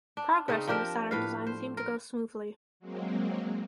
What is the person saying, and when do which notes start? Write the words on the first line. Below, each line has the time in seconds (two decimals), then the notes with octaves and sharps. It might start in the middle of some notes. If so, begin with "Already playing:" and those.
Progress on the Saturn design seemed to go smoothly.
0.17 D4
0.48 C#3 C4 D#4
0.67 F3 D4 G4 A#4
1.11 A2 B4 F5
1.47 C5
1.77 A#4
2.80 F#3 G#3 A#3 C4